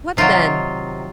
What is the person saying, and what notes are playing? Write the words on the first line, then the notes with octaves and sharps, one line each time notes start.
What then?
C3 D#3 F#3 F4